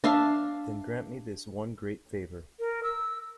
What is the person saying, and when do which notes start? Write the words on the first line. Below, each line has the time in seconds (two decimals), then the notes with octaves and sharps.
Then grant me this one great favour.
0.04 D4 E5 F5 A5
2.60 A#4
2.83 E6